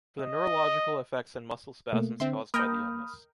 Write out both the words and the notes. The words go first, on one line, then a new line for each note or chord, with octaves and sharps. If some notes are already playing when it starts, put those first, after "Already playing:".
For the neurological effects and muscle spams caused by the illness.
D#5
B2 A3 A#3
D3 C4 E5 C6
A#3 A#4 D#5 G5 B5 D#6 F6